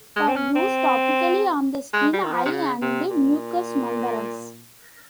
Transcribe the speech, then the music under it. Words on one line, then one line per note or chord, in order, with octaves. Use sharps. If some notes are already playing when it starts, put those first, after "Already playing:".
For use topically on the skin, eye, and mucous membranes.
G#3
C4
C#4
C4
G#3
G3
D#3
F3
C3
C#3
C3
A#2